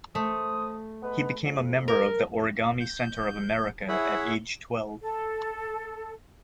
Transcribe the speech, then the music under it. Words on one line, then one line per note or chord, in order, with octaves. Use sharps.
He became a member of the Origami Center of America at age twelve.
A3 C5 D#6
G#3 B3 B4
F2
A#4
G6
E4 G#4 C#5 E5 F#5 B5
A4